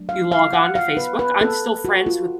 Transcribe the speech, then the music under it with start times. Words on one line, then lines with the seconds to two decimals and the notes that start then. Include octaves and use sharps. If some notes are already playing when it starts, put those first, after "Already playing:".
you log on to Facebook I'm still friends with
Already playing: F#3 A3 D4
0.09 F5
0.32 F5
0.53 F#5
0.75 F5
0.97 B4
1.19 B4
1.41 A4
1.85 F#4
2.06 F4